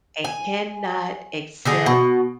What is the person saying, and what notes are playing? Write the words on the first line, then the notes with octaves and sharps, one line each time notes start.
and cannot accept
G#5
D3 D#4 G#4
B2